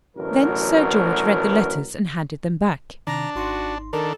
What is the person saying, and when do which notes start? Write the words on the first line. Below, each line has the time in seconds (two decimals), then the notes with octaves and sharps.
Then Sir George read the letters and handed them back.
0.17 A1 D2 B2 F#3 A#4
3.07 C3 D#3 D4 A#5
3.35 G#1 D#4 F#4 C6
3.93 D#3 D4 A4 A#4